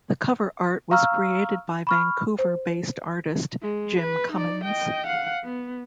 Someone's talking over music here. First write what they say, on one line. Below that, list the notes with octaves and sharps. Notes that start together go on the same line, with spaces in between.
The cover art was created by Vancouver based artist Jim Cummins.
F5 A#5 C#6 E6 F6
B5 C#6 F6
C5
G#3
B4
D#4 D5
D#5 G5
F5 F#5
B3